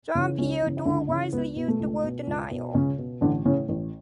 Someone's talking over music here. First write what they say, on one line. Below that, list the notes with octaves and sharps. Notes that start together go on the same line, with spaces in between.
Jean-Pierre Door wisely used the word «denial».
C#3 E3
C#2 C#3 C#4
C#3 E3
E4
C#2 D3 D4
C#3 E3
C#2 B3
B2 B3
A3
C#2
B2
C#2
B2
C#2 C#3 C#4
B2
A1 D3 D4
A2 C#3 E3 C#4
A1